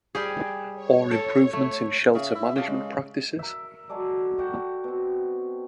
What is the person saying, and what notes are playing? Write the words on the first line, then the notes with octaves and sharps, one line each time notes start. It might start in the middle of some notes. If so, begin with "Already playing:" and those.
Or improvement in shelter management practices?
G3 G4 G#4
C#5
A4
A3
C#3 E5
E4
C#3 G4 F5 A5
G#3
A#4 E5
F#3 G#3 A4 D5
F#4 F#5 G5
B2 C4